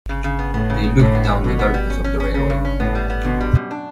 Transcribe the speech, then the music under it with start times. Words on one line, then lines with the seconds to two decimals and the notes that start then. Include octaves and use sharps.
They looked down the darkness of the railway.
0.09 C#3
0.24 C#3
0.39 B3
0.54 A2 B3
0.70 C#3
0.84 C#3
1.00 A2 D3
1.15 B3
1.29 E2
1.44 B2 D3
1.59 B3
1.74 G3
1.90 C#4
2.04 C#4
2.20 C#4
2.34 C#3 C#4
2.50 G2
2.65 C#4
2.80 A2 B3
2.95 G3
3.10 B3
3.24 B2 D3
3.41 G3
3.55 F#2
3.71 D4